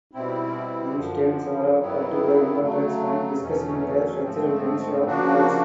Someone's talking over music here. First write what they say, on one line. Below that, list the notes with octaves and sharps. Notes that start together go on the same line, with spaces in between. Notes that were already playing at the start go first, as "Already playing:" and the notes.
These terms are of particular importance when discussing the structural chemistry of minerals.
B2 G3 C4 E4
F#2 D3 F3
G2 D#3 F#3 B3 E4
C#3 F#3 A3
E2 B2 F#3 A3 C#4
G#2 F3 A3 C4
C#3 F3 A#3 D4 F#4